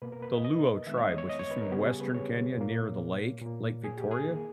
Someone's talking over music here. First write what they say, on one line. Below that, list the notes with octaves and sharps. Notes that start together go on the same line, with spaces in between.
the Luo tribe, which is from Western Kenya near the lake, Lake Victoria.
B2 A#3 B4
A#4
B4
D#5
D#5
D#3 G#3 B3 E5
C#5
D#5
C#5
D#5
C#5
B4
A#4
C#3 G3 B3 G4
G#4
B4
C#5
A#2 A#3
A#2 A#3
G#4
G4
G#4
D#3 A#3